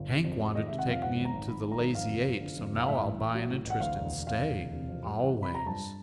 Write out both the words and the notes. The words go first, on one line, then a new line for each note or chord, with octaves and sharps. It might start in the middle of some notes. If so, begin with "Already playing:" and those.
"Hank wanted to take me into the Lazy Eight, so now I'll buy an interest, and stay--always."
Already playing: G1
C3
F2
G#3
D#3 D#5
C3 E5
F#5
F2 F5
G#2 F#5
G#1
A#5
G#1
F3 B5
G#2
A#5
G#1
F2 F5
F#1
F3
D3
F2
F#1
F5
A2 E5
A1
A1
F#3
A2
A1
F#5
D2 F5
E1
E1
C3 F5
D2
E1
C3
F2
G3
E3 F#5
C3
B5
F2 A#5
G2 A5